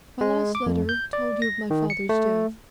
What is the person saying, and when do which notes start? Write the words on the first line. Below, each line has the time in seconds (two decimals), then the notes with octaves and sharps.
My last letter told you of my father's death.
0.21 G#3
0.55 D6
0.66 F2
0.89 G6
1.13 D5
1.42 A#6
1.71 D#3
1.90 C#7
2.09 A3